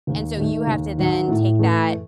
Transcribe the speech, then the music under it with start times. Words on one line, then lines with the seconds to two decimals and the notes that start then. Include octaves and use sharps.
and so you have to then take that
0.07 D#2
0.37 D#3 A3
0.67 D#2
0.98 D#3 F#3
1.28 A2
1.59 E3 A3